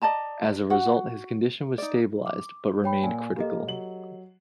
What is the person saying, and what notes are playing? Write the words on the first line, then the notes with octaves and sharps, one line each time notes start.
As a result his condition was stabilized, but remained critical.
D5 D#5 A5 A#5
F#4 F#5
D#4 D5
D6
C#5 G5 B5
A#2 G#5
A#3 G4 A4 D#5
F#3 F#7